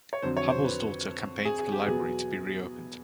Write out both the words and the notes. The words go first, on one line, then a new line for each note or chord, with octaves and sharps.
Hubbell's daughter campaigned for the library to be reopened.
C#5
F2 D3 F#3 C5
C#5
C5
B4
G#4
G#4
G4
E2 B2 F#3 B3 G#4